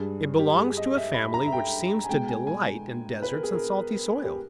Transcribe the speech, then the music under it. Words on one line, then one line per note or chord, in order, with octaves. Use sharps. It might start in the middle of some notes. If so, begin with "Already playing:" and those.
It belongs to a family which seems to delight in deserts and salty soil!
Already playing: G2 G3 G#4
G4
G#4
D#5
E5
B5
A#5
E5
G5
G#5
B2 G#3 G5
G#5
G#5
B4
A#4
G#4
A#4
G4